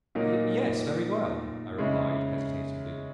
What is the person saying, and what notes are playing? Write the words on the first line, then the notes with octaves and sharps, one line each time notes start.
'Yes, very well,' I replied, hesitatingly.
A#2 F#3 A#3 D#4
C#3 G#3 C#4 E4